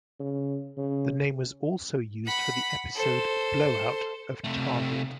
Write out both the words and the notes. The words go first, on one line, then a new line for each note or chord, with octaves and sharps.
The name was also used for the episode "Blow Out" of "Target".
C#3
C#3
F#5 B5
A4 C5
C3 A3